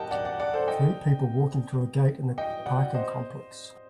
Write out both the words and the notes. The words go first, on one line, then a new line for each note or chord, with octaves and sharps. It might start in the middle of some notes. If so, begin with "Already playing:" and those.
Three people walking through a gate in a parking complex.
Already playing: G4 A#4 D#5 F#5 G5 A5
D5 F#5
D5 F#5
D5 F#5
A4 C5
D#5 G5
D#5 G5
D5 F#5
C5 D#5